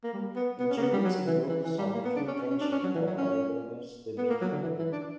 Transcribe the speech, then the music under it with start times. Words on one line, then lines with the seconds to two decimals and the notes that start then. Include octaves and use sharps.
Ingebrigtsen wrote the song "True Friendship" for Arredondo's debut album.
0.03 A#3
0.13 G3
0.36 B3
0.59 B3
0.70 C#4
0.77 A#3
0.82 B3
0.92 G3
1.04 F#3
1.27 E3
1.49 E3
1.64 E3
1.78 G3
1.94 A#3
2.05 B3
2.16 D4
2.27 C#4
2.38 C#4
2.50 C#4
2.61 D4
2.72 C#4
2.83 F#3
2.95 E3
3.06 F#3
3.18 C#4
4.18 B3
4.30 A#3
4.41 F#3
4.52 D3
4.62 E3
4.78 E3
4.92 D4